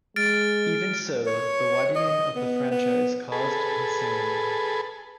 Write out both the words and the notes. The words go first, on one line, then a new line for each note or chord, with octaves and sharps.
Even so, the widening of the franchise caused concern.
G#3 F6 A6 D7
C#5
D#5
B3
B3
G#4 A4 B4